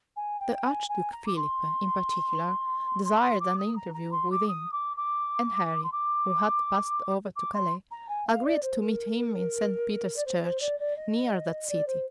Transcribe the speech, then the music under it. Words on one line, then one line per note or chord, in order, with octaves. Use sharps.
The archduke Philip, in particular, desired an interview with him; and Henry, who had passed over to Calais, agreed to meet him in St. Peter's church, near that city.
G#5
G5
G#5
G#5
A#5
D6
C6
C6
C6
D6
D#6
A#5
A#5
C6
D6
D#6
D6
D6
C6
D6
D6
C6
A#5
G#5
F5
D5
C5
A#4
D5
C5
C5
D5
D5
D#5
D#5
D5
C5